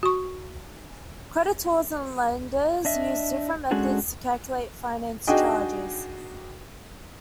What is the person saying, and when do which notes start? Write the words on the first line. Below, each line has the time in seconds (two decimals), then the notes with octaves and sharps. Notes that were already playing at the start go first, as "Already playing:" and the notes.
Creditors and lenders use different methods to calculate finance charges.
0.03 F#4 C#6
2.85 D4 D#5 E5
3.71 G#3 C#4 D4 F#4 G#4 A4
5.27 D4 D#4 F#4 G#4 D#5 G5